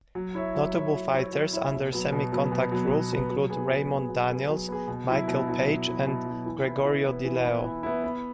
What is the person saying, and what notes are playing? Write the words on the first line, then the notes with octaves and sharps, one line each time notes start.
Notable fighters under semi-contact rules include Raymond Daniels, Michael Page, and Gregorio Di Leo.
F#3
E4 C#5 E5
F#3
E4 C#5 E5
F#3
E4 C#5 E5
F#3
E4 C#5 E5
B2
F#3 B3
B2
F#3 B3
B2
F#3 B3
B2
F#3 B3
F#3
B3 G#4
F#3
B3 G#4
F#3
B3 G#4
F#3
B3 G#4
B2
F#3 E4
B2
F#3 E4
B2
F#3 E4
B2
F#3 E4
E3
B3 E4
E3
B3 E4
E3
B3 E4
E3
B3 E4
B3